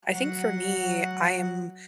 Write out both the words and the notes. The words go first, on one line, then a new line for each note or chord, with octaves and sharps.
I think for me, I am
F#3 F#5